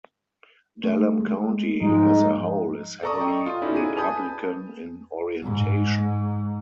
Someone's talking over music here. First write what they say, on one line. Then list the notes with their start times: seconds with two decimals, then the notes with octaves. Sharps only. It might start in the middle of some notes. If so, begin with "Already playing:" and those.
Dallam County as a whole is heavily Republican in orientation.
0.84 A3
1.19 G#3
1.82 G#2 F3 G3 G#3 D#4
3.03 A4 D5 A#5 C#6 D#6
3.20 D#5 G5 C#6
3.46 F4
3.62 C#4 D#4 E4 F#4 A4 D5
3.76 G#4 D#7
3.96 B4 G#5 A5 B5 D#6 G6
5.43 G#2